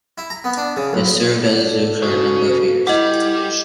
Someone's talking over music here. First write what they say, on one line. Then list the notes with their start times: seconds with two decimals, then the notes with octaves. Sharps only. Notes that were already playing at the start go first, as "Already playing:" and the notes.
It served as a zoo for a number of years.
0.18 E4
0.30 A#5
0.44 B3
0.57 D4
0.76 C#3
0.93 B1
1.42 D3 A4
2.02 C#3 F#4
2.87 G3 E4 D#5 F#5